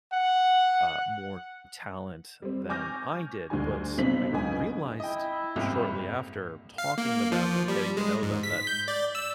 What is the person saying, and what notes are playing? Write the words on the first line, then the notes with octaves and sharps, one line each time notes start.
uh, more talent than I did, but I realized, shortly after talking to them and getting to know them that
F#5
G3 C4
G#5 C#6 D6 F6 G6 A#6
D2 D3 G3 G#5
B1 C3 C4 D4 B6 F#7
C#2 D3 F#3 D#5 G#5
E4 D#5 G5
F#1 C2 F2 G#2
F5
A#3
F3
G3
G#3
G#2
B6
G6
D5
E6